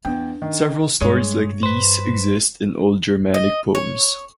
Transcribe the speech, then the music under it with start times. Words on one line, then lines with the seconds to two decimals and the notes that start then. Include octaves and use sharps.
Several stories like these exist in old Germanic poems.
0.05 E2 D4 G5
0.42 D#3
1.01 G2 G#3 C#5
1.63 B4 C5
3.34 D#5
3.75 C#5